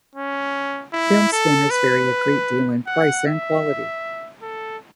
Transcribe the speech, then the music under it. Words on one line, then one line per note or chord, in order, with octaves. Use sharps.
Film scanners vary a great deal in price and quality.
C#4
E4
A4
B4
F#5
E5
A4